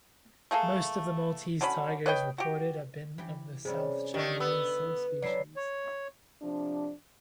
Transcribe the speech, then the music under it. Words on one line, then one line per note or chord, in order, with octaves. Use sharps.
Most of the Maltese tigers reported have been of the South Chinese subspecies.
A3 A#3 G#4 A4
D3 F#3 C#4 B5
B4 C#5 D#5 G5
F#4 G4
E3 G4
C3 G3 C#4 G#4
D3 D#3 A3 G4
B3 B4 E6
F#3 E4 D5 A5 C7
C#5
C3 F3 D4